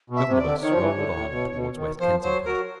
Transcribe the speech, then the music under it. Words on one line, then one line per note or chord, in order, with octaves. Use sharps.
The omnibus rolled on towards West Kensington.
B2
E5
C3
D5
D3
D#3 C#5
F3
E3
D3
A2
B2
B2
D#3
F3 C5
F#3 C5
F#3 A#4